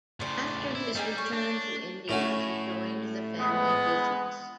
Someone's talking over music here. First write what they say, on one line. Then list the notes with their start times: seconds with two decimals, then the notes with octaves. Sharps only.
After his return to India, he joined the family business.
0.20 A2 C#3 C5 D5
0.75 E4
0.95 G3 D#4 G#4 G#5
1.18 C#5
1.33 D4
2.09 A2 A3 C#4 F#4
3.39 G#3 B3 B4 D#6